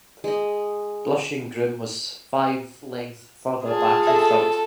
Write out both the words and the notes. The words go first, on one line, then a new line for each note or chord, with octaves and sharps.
Blushing Groom was five length further back in third.
G#3 D#5
F4 G#4 A5
A4 E5